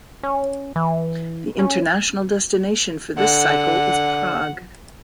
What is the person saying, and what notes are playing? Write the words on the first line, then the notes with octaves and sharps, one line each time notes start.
The international destination for this cycle is Prague.
C#4
E3
C#4
D3 F#5